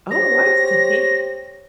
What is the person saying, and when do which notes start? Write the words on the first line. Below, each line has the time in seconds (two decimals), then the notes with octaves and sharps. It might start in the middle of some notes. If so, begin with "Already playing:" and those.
Oh, I see.
0.11 G4 C5 C#5 A#6